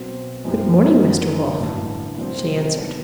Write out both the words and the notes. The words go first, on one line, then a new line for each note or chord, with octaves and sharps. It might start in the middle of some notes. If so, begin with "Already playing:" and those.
"Good morning, Mr. Wolf," she answered.
Already playing: B1 B2 F#3 C4
F#2 E3 G3 C4 G4
F#2 D3 F#3
A1 G2 D3 A3 E4
C2 C3 F#3 C4
E2 D3 F#3 B3 D4